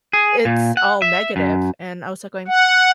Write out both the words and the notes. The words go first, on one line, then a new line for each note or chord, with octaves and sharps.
it's all negative. And I was, like, going,
G#4
A#2
F#5
E5
F#2
F#5